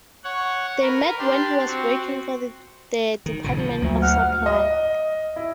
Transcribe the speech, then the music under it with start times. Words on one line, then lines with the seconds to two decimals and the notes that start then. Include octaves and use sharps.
They met when he was working for the Department of Supply.
0.24 C#5 F#5
0.82 A#4 B4
1.19 D4 G4 C6
1.66 C4 F#4
3.26 D#3
3.44 B1 A#2 C#3
3.59 F3
3.82 D2 F#3 A#3
4.02 F#5 F6
4.46 D#5
5.36 E4